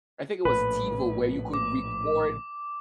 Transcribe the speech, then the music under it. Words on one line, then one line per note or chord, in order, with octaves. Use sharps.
I think it was TiVo where you could record
A#1 A2 B4
D6